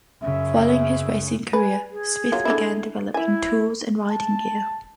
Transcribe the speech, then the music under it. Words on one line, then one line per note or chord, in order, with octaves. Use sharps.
Following his racing career, Smith began developing tools and riding gear.
F#2 C#3 E5
B4 G#5
G#4
F#3 F4 F#4
D3 D#3 E4
E4 E5 G#5
A5